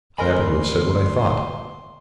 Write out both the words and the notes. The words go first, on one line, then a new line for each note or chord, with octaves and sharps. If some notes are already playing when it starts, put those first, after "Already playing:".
I happen to have said what I thought.
D2 A#4 D#5 G#5 B5 C6